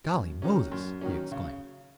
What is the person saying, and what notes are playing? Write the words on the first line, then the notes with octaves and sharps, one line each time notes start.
"Golly Moses!" he exclaimed.
F#2
D#3 F#3 C#4
F#2
D#3 F#3 C#4
C#3